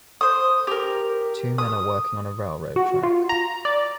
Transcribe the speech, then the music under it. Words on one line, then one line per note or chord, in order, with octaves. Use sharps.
Two men are working on a railroad track.
C5 D#6
G4 A#4
D#6
F#4
F4
A#5
D5